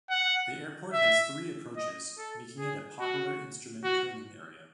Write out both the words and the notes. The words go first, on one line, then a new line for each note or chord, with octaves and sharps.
The airport has three approaches, making it a popular instrument training area.
F#5
E5
D#5
A4
G#4
F#4
F#4